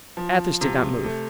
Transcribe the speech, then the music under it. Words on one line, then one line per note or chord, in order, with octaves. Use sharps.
Athos did not move.
F3
C3
A3